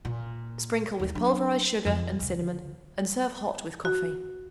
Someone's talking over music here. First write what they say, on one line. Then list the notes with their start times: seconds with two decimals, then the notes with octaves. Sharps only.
Sprinkle with pulverized sugar and cinnamon and serve hot with coffee.
0.05 A#2
0.99 D#2 A3
1.15 F#3 D4
1.85 F2 F3
2.20 D2 C#3
3.85 F#4